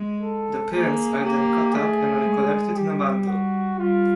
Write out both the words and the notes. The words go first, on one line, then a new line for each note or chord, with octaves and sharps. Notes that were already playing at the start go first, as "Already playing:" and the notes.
The prints are then cut up and are collected in a bundle.
Already playing: G#3
A4
A#3 G#4
A#3 G4
A3 G#4
G#3
G3 G4
F#4
G3 F4